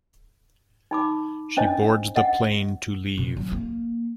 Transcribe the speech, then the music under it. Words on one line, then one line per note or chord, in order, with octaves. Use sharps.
She boards the plane to leave.
D#4 B5 D6
C#4 D4 C5 D#5 A5
D#5 F#5
B2
F#3
A#3